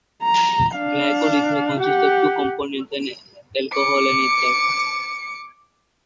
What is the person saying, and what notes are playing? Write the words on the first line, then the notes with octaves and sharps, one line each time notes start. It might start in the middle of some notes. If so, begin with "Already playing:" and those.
Glycol ethers consist of two components, an alcohol and ether.
A#5
D4 F5
G4 F#5
D6 C#7